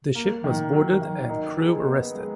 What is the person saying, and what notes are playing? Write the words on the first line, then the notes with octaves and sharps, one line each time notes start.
The ship was boarded and the crew arrested.
A#3
D#3
F#3
D#3
D#4
G#4
B3
G#3